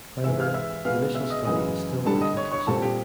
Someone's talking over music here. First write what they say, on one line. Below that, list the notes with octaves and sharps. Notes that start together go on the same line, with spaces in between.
However, the initial study is still inconclusive.
G#2 E3 G#3 E5 E6
F5 F6
E5 E6
B2 G#3 B3 F5 F6
E5 E6
D#5 D#6
F#2 C#3 E3 G#3 D#5 D#6
G2 D3 G3 A4 A5
D#5 D#6
C#5 C#6
C#5 C#6
A#2 G3 C4 A4 A5
G4 G5